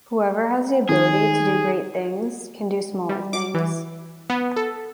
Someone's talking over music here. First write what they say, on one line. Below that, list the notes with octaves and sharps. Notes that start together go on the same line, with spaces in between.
Whoever has the ability to do great things can do smaller things.
D#3 G#4
G3
D6
E3
B3
A4